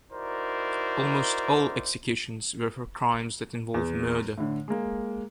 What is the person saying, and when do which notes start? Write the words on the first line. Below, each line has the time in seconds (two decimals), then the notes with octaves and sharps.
Almost all executions were for crimes that involved murder.
0.12 D#4 E4 F#4 A#4 C5 D5
3.74 E2
4.38 A2 D3
4.68 G#3 A#3